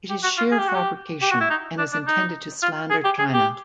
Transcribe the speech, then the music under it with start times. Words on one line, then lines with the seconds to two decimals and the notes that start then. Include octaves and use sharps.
It is sheer fabrication and is intended to slander China.
0.10 G4
0.23 F#4
0.37 F4
0.52 G#4
0.59 G4
0.68 F#4
0.75 G4
1.22 G4
1.31 F#4
1.41 E4
1.50 D#4
1.78 D4
1.93 D4
2.07 D#4
2.63 F4
2.90 G#4
3.04 G4
3.19 G#4
3.33 G4